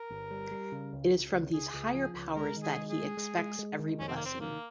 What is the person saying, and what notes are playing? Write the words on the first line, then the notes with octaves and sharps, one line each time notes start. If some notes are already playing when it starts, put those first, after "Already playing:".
It is from these higher powers that he expects every blessing.
Already playing: A#4
G1
G3
G3
C#3
C#2
C#2
C#2
C#2 G#4
C#2
F3
C#2
G#3 A#4
D#3
G#4
G#3
G#4
G#3
G#3
G#3
G#3
D#3
F2 C#4
C4
A#3
F1
C4
D#3 A#3